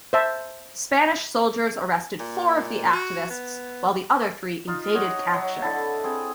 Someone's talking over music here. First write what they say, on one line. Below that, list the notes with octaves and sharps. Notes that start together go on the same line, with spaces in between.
Spanish soldiers arrested four of the activists while the other three evaded capture.
C5 E5 A5
A#2
F#4
B3
D#4 F4 D#5
F#4 C#5 D#5
F#3
D3 E4 A5
C4 G#4